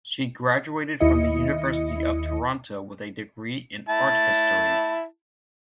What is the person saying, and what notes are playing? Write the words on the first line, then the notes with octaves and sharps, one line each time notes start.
She graduated from the University of Toronto with a degree in art history.
D#2 E4 D#5 C#7
E4 A5